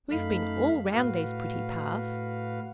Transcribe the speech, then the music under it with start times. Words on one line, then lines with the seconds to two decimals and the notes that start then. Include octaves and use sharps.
We have been all round these pretty paths.
0.11 F#2 A3 D#4 F5 B5
0.92 A2 F#4 B4 F5